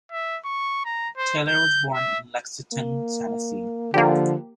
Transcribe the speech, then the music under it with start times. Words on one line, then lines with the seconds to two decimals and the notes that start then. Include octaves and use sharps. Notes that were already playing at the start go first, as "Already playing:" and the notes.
Taylor was born in Lexington, Tennessee.
0.12 E5
0.45 C#6
0.86 A#5
1.17 C5
1.48 G6
1.94 E5
2.73 A#3
3.94 D3 F3 A#3 G4